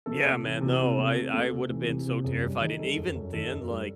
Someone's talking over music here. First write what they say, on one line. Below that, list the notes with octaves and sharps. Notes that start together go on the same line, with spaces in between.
Yeah, man, no, I I would have been so terrified, and even then, like,
A3 A4
C3
E3
C3
C3
A3
C3
A3
C3
E3
C3
C3
F#2 G#4
G3
D#3 G#4
G3 A4
F#2
A4
F#2
D#3 A4
F#2
A#4
G3